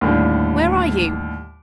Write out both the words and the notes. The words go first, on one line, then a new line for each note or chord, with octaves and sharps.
"Where are you?"
D#2 A2 D3 G3